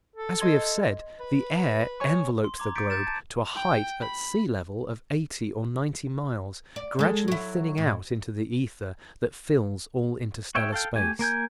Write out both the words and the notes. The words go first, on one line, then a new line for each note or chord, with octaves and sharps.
As we have said, the air envelopes the globe to a height at sea-level of eighty or ninety miles, gradually thinning out into the ether that fills all interstellar space.
A4
D#5 C6 G#6
B4
C#5 G#5 C#6
C6
A#5 D6 G#6
A#5 G6 A6 B6 C#7 D7
D6 G6 A6 E7
A5 G#6
G5
B5
D5
G#3 A4
F#3 E4
A2
F#4 C#5 E5 G5
A4 F5 G5
A3 G4 G#5
A#3 A#4 G#5 G6